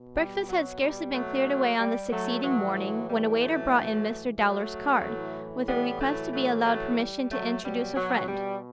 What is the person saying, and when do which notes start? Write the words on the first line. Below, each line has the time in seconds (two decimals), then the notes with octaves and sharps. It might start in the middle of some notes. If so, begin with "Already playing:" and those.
Breakfast had scarcely been cleared away on the succeeding morning, when a waiter brought in Mr. Dowler's card, with a request to be allowed permission to introduce a friend.
Already playing: B2
0.16 G3
0.49 F#3
0.81 G3
1.14 F#3 A3
1.79 G3
2.11 F#3 A3
2.43 A2 E3 F#3
2.77 F#3
3.09 G3
3.41 F#3 A3
4.39 F#3 A3
5.04 A2 E3
5.68 G3 B3
6.01 F#3 A3
6.34 F#3 A3
6.66 F#3 A3
6.99 G3
7.32 F#3 A3
7.63 B2 F#3 G3
7.96 F#3
8.28 G3